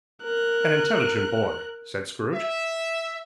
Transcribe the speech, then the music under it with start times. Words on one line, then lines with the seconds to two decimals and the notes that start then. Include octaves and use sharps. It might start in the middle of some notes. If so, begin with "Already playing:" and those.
'An intelligent boy!' said Scrooge.
0.23 A#4 F#6
2.33 E5